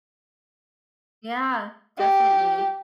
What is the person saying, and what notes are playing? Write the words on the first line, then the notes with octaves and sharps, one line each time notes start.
Yeah, definitely.
G4